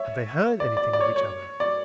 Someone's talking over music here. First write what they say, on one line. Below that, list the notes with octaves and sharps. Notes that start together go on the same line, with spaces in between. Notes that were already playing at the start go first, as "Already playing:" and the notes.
Had they heard anything of each other?
Already playing: C#5 E5
D5
D5
D5
C#5
C#5
D5